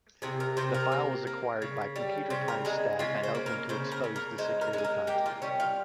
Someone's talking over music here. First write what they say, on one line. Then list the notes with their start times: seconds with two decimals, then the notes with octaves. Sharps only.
The file was acquired by Computimes staff and opened to expose the security content.
0.22 C3 G#4
0.40 A#4
0.57 C3 C5
0.74 A#4
0.92 A#3
1.27 A#3
1.62 C#3
1.96 G3
2.30 C#3 C5
2.48 A#4
2.65 G#3 G#4
2.99 C#3 F4
3.23 C5
3.35 A#3
3.46 A#4
3.69 C#3 C5
3.92 A#4
4.04 C#3
4.16 A#4
4.38 G#3 C5
4.61 A#4
4.73 G#3
4.78 G#4
4.84 A#4
5.07 A#3 G4
5.26 F4
5.42 G3 C#4
5.60 F4